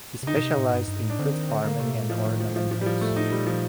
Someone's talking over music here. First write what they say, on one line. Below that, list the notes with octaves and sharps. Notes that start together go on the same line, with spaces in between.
He specialized in fruit farming and ornamentals.
C3
D3 D#4
A#2
C3
A2
G2
G2
A2
D4
D3 C4
D#3
D3 C4
D3 A#3
C3 A3
A#2
A2 F3
D#3
F3
F3
F3
G3
F3
A3
D#4
A#2 G3
F3